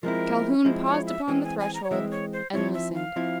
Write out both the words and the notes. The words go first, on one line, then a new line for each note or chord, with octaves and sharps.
Calhoun paused upon the threshold, and listened.
F3 G#3 C4 E4 A#4
F3 G#3 C4 E4
C#5
E5
E3 G#3 C4 G#5
G#5
G#5
A#5
C#5
E3 G#3 C4 E5
C#5
C5
F3 C4 E4 C#5
E5
F5
F3 C4 E4